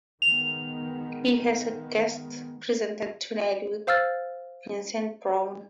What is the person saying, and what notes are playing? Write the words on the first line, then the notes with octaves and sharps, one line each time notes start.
She has guest presented "Tonight with Vincent Browne".
D#3 G#3 B3 F7
C5 F5 E6 F6 A6